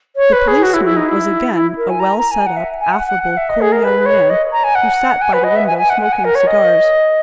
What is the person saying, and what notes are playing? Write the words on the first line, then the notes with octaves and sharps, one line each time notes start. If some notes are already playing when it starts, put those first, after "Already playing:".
The policeman was again a well set up, affable, cool young man who sat by the window smoking cigars.
C#5
B4
G#4
F#4
E4
E4
D#4
E4
E4
A#4
G#5
A#5
A#5
G#5
F#5
E5
G#5
F#5
F#5
F#5
E5
D#5
G#4
A#4
B4
C#5
D#5
A#5
G#5
F#5
G#5
B4
D#5
E5
G#5
G#5
F#5
F#5
G#5
A#4
C#5
D#5